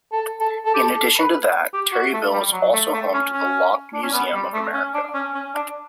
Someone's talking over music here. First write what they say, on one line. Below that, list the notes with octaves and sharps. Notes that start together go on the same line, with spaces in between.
In addition to that, Terryville is also home to the Lock Museum of America.
A4
A4
A4
G4
A4
A4
B4
G4
F#4
A3
G3
F#3
A3
A3
C#4
C#4
D4
C#4
B3
G3
A3
C#4
D4
C#4
C#4
D4